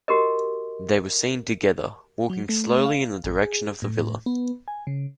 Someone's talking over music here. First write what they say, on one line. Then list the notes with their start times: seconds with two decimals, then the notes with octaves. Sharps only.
They were seen together, walking slowly in the direction of the villa.
0.08 F#4 G4 A#4 D#5
2.30 F#3
2.49 A3
2.86 F5
3.24 A1
3.42 G#4
3.82 A2
4.26 B3
4.68 G#5
4.87 C#3